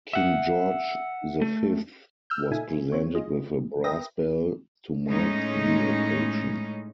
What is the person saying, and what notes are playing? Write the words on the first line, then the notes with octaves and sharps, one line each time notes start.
"King George the Fifth" was presented with a brass bell to mark the occasion.
E5 F#5
A3
E6 F6 G6
A#2 D#4 A4 E5 G#5
C4 C#5
F4 G#4 D#5
A#4 B4 E5 G5 D#6 A#6
A2 G#3 C#4 D#4